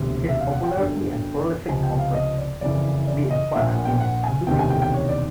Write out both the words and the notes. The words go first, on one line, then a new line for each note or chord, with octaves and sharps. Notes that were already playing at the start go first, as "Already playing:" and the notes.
His popularity and prolific output may in part have been his undoing, though.
Already playing: E1 D2 C3
E5
F5
F#5
G5
G1 F#2 D3
C#2 C3 F3 G#5
G5
F5
D#5
D5
F#1 F2 C#3 E3 D5
D5
D#5
A#1 A#2 F3 E5
F#5
G5
F#5
G#5
E1 D2 C3 D#3 G5
G#5
G5
G5
C#5
D5